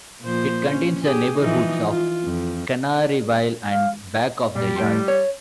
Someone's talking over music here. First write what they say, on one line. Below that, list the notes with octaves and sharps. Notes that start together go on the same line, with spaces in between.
It contains the neighborhoods of Canaryville and Back of the Yards.
A#2 F3 C5
C#4
G4 G#4
E3 F3 D#4
F4
F2
F5
A#2 G3
A2 G5 C6
C#5